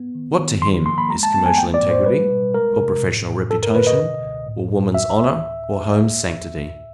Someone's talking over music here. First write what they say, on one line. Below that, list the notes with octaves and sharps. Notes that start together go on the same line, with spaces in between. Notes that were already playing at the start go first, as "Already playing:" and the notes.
What to him is commercial integrity, or professional reputation, or woman's honor, or home's sanctity?
Already playing: B3
D#3
D#3
F3 C6
A#3 C6
B5
G#3 A#5
A5
B3 A5
G#5
A3 G5
D5
A2
C5
G3 B4
B2
G#3 A#4
C3
A2
A2
F#2 A4
A#4
D3 B4
D#5
B2
C#2
A2
A2
D2 E5